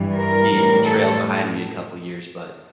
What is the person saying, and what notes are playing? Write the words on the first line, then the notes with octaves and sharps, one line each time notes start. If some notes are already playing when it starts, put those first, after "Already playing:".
He he trailed behind me a couple years, but,
Already playing: G2 E3 G3
A#4
A2 E3 G3
A4